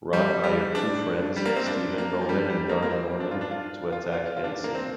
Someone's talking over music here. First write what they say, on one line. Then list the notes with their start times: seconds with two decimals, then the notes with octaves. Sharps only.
Roth hired two friends, Steven Bowman and Darren Norman, to attack Hanson.
0.13 G3
0.44 G3
0.75 D4
1.36 G3
1.46 A#3
1.56 C4
1.66 D4
1.98 A#3
2.21 F3
2.29 G3
2.50 G3
2.69 A#3
2.82 A#3
2.90 C4
3.20 D4
3.31 F4
3.41 D4
3.51 F4
3.92 F4
4.13 F4
4.37 F4
4.44 D4
4.64 A#3
4.75 C4